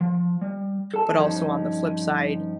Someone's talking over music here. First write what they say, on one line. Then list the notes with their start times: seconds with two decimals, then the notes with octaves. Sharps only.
but also, on the flip side,
0.01 F3
0.41 G3
0.94 A4 A5
1.13 G2 F3 C#4 D#4